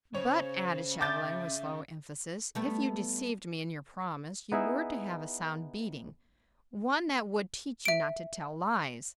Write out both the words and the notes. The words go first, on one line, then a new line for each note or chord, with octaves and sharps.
"But," added Chauvelin, with slow emphasis, "if you deceived me in your promise, you were to have a sound beating, one that would teach you not to tell lies."
C#3 C5 C#5
E5 D6 G6 A6
G3 A3 B3
B3 D#4 E4 G#4 E5
E5 D7